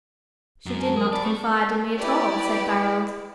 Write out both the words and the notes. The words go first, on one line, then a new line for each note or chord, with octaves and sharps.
"She did not confide in me at all," said Barold.
F#2
G#5 A5
G#4 A#4 D#6
D5 A5 B5
A3 C#6
E4 G4 B4 D5